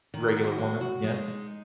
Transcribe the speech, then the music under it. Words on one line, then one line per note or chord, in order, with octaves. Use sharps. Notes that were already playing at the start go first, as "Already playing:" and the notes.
Regular woman, yeah.
D#3
F#4
G#3
F#4
G#3
D#4